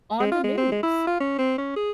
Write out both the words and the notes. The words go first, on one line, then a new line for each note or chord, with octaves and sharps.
on the news.
G#3
F4
G#3
C4
G#3
E4
F4
C#4
C4
C#4
G#4